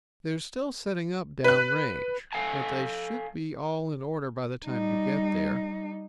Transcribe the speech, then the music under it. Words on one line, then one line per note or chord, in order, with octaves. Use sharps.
They're still setting up down range but they should be all in order by the time you get there.
B4 F#6
A4 F5 G#5 A5
G3 D#4